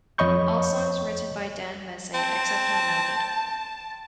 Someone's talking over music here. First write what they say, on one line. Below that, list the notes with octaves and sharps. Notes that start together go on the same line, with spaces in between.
All songs written by Dan Messé, except when noted.
F2 C#5 D#5 B5 C#6 G6
C4 A5